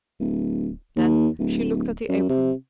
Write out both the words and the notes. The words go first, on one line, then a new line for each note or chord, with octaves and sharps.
Then she looked at the apron.
D1
D#2
D1
F#2
C3